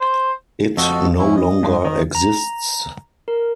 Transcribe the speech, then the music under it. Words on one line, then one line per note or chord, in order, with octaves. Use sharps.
It no longer exists.
C5
F2 F#4 A4 D#5
C#4 E4
D#5
G2
D#3
A#5
A#4